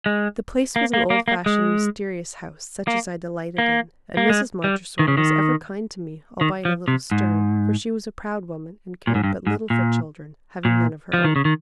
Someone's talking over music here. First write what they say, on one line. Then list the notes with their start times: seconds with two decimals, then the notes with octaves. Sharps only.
The Place was an old-fashioned, mysterious house, such as I delighted in, and Mrs. Montressor was ever kind to me, albeit a little stern, for she was a proud woman and cared but little for children, having none of her own.
0.06 G#3
0.76 A#3
0.94 A#3
1.10 A#3
1.28 A#3
1.46 G#3
2.88 A#3
3.58 A#3
4.17 A#3
4.30 G#3
4.64 G3
4.99 D#3
5.08 C#3
5.17 D#3
6.41 D#3
6.65 F3
6.88 C3
7.11 G#2
9.07 A#2
9.15 G#2
9.24 G2
9.47 G#2
9.70 A#2
10.65 A#2
11.13 F3
11.24 D#3
11.36 C#3
11.45 D#3